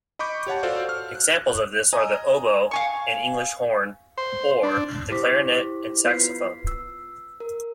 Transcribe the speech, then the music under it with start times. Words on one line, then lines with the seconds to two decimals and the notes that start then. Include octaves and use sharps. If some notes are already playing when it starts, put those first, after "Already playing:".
Examples of this are the oboe and English horn or the clarinet and saxophone.
0.19 D#5 B5 C#6 D6 G6
0.47 G4 C#5 F#5 A5
0.63 F4 F#4 A4 C5 D5 F5
0.89 F6
1.15 F#6
1.93 D#5 G#5 A#5 D#6
2.71 F5 G#5 C#6
4.18 C5
4.63 D4
5.11 E4 G4 C5 D6 B6
6.05 B3 F4 B4 B6 C7
6.67 E6
7.40 A#4